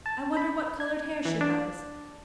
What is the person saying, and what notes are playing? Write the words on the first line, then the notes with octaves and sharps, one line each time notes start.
I wonder what coloured hair she has.
A5
B5
G#6
E3
D4